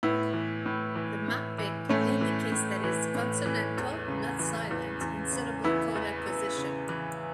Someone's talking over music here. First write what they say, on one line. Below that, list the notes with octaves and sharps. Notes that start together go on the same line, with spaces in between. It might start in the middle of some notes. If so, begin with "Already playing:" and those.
The "mappiq" indicates that is consonantal, not silent, in syllable-coda position.
A2 B3 E4
E3
A2
E3
A2
E3
A2 A3 C#4
E3
A2
E3
A2
E3
E2
C#3
E3
E2
E2
C#3
E3 B3 E4
E2
E2
C#3
E3